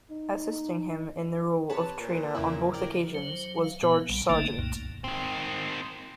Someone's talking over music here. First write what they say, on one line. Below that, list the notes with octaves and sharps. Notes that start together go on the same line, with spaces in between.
Assisting him in the role of trainer on both occasions was George Sargeant.
D#4
C3 B4 C#5 A5
A#2
E2 C#3 E4
A#4 D5 G5
F#3 C5
F5
A#2 B3
B1 G3
G1 D3 A3 A#3 D#4
C2 F#2 A#2
D#3 C4